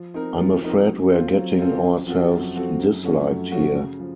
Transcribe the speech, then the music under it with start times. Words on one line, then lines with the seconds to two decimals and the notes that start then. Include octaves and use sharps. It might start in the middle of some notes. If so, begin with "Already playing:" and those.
I'm afraid we're getting ourselves disliked here.
Already playing: F3
0.14 C4 D#4 A#4
0.38 F3
0.63 C4 D#4 A#4
0.86 F#3
1.11 C4 F4 A4 C5
1.34 F#3
1.59 C4 F4 A4 C5
1.83 F#2
2.07 F3 C4 F#4 A4
2.31 F#2
2.55 F3 C4 F#4 A4
2.79 F#2
3.03 F3 A3 C#4 F#4
3.27 F#2
3.52 F3 A3 C#4 F#4
3.76 C#3
4.00 F3